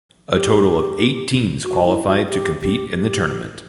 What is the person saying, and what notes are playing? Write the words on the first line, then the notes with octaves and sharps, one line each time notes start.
A total of eight teams qualified to compete in the tournament.
G4
F#4
E4
F#4
G4
G4
G4